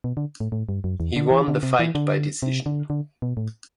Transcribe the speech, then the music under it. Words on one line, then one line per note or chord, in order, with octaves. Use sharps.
He won the fight by decision.
B2
D3
A2
A2
G2
F#2
E2
D3
E3
D3
C3
E3
D3
C3
D3
D3
B2
A2